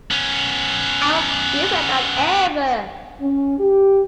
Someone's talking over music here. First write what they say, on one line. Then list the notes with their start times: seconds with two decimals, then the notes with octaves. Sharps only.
I was busier than ever!
0.11 B3 C#4
3.21 C#4
3.58 G4